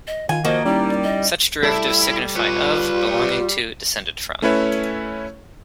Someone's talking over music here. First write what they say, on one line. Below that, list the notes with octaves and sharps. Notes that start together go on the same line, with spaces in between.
Such derivatives signify "of, belonging to, descended from".
D#5
D#3 F4 F5 G#5
F3 A#3 F#4 C5 D#5
G3 C#4 D#4 E4 D5
D#5
G3 E4 A4
F4 B4 C#5
A3 C#4 E4 B4 C#5 E5